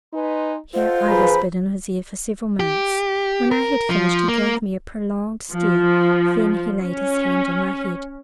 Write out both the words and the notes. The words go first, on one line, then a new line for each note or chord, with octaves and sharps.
Here I whispered in his ear for several minutes, when I had finished he gave me a prolonged stare, then he laid his hand on my head.
D#4 B4 G#5 C6
F4 A4 C5 D#5 F#5
F3 G#4 B4 A#5 B5
G4
A#4
F3
A#3
F3
C#4